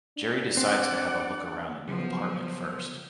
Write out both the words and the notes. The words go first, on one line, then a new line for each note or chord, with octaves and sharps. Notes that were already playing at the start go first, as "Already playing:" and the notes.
Jerry decides to have a look around the new apartment first.
D4
C4 D5 F#5
C#3 F3 F#3 B3